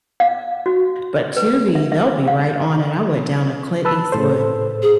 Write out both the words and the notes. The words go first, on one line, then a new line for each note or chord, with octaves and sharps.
but Tubi, they'll be right on it. I went down a Clint Eastwood
F5
F#4
B4
E5
E5
F5
B4 A5 E6
A2 A4 C5
G#4